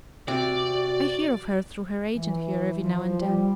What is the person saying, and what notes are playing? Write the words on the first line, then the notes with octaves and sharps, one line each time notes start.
I hear of her through her agent here, every now and then.
C3 F#4 D5
E3
F3
G3